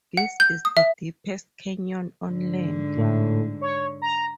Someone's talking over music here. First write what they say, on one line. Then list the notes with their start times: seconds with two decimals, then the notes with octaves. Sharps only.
This is the deepest canyon on land.
0.17 F#5
0.40 G6
0.65 D#6
0.77 E5
2.25 G#2 D3
2.97 A2
3.61 C#5
4.02 A#5